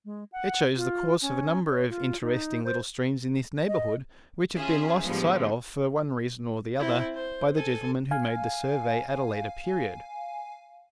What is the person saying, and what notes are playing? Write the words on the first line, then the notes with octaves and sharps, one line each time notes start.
It shows the course of a number of interesting little streams in this neighbourhood which have been lost sight of for one reason or the other by the gentleman who made the survey at a later period.
G#3
F#5
F4
C#4
C#5
F4
D#4
C5
D#5
C#4 F4 G#4 E5
A2 D3 F3 G3 G#3 B3
C4 E4
C5
A4 G#5
F5 G#5